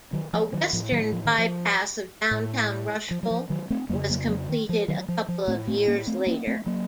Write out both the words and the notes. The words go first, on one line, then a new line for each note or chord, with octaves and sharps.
A western by-pass of downtown Rushville was completed a couple of years later.
D#3 F#3
F3 A3
D#3 F#3
A2 F3
D#3 F#3
F3
D#3
F3
A2
F3
F#3
F3
D#3 F#3
A3 C4
F2 C#3 F#3 A#3
F#3 A#3
F#3 A#3
D#3
F3
D#3 F#3
F3
F3
A2 A3 C4
A3 C4
A#3 C#4
A3 C4
A#3 C#4
A3 C4
F#3 A#3